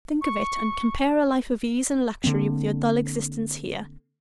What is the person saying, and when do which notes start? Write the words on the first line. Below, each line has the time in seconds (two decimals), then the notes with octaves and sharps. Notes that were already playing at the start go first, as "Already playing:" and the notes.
Think of it, and compare a life of ease and luxury with your dull existence here.
0.21 C#6
2.24 D3 F3 A#3 C4